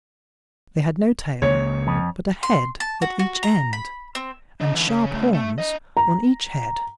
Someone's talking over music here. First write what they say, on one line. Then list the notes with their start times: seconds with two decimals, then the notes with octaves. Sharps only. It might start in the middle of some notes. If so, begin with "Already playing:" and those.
They had no tail, but a head at each end, and sharp horns on each head.
1.42 C#2 C#3 A#3 C#5
1.87 F2
2.43 C6
2.80 A5
3.02 F#4
3.19 F#4
3.43 A#5
3.73 B5
4.15 C4
4.61 D4 D#5
4.75 D3 E3
4.88 C#3
5.12 C#3 A3
5.33 A3
5.58 D4 D#5
5.97 A#5